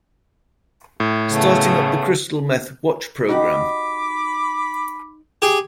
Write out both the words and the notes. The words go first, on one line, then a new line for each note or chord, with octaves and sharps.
Starting up the Crystal Meth Watch Program...
A2
C#3 A3 B3
D#4 F#4 G4 B5 D6
G4 G#4